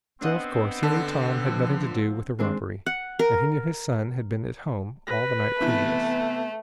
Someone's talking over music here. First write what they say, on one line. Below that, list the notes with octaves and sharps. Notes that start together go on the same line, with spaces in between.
Still, of course, he knew Tom had nothing to do with the robbery, and he knew his son had been at home all the night previous.
B3 C4 D4 D#5 F#5
D3 A5
F3
D#3 G#3 C4 D4
F#5
A#4
B4 A#6
C3 E3 A3 B3